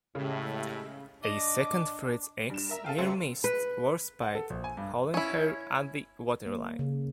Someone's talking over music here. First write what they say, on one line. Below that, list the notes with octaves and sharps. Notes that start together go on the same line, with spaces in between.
A second Fritz X near-missed "Warspite", holing her at the waterline.
A2 C#3 G#3 G4 E5
D4 D#5 D6
G2 E7
A#4 E5 A#5
A4 E5 F5 G5
C#2 F#3 A4 C5 E5 C#7
B4
F#5
A4
A#1
G#5
G2
C#4 E4
A#3
C#3